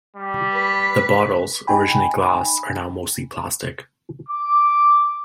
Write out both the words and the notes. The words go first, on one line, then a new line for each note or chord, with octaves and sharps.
The bottles, originally glass, are now mostly plastic.
G3
B4
D#4 G5 G#5 B5
D6